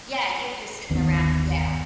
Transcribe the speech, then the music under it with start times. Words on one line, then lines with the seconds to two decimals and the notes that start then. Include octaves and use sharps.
Yeah you're just sitting around, yeah.
0.90 G1 D#2 D#3 B3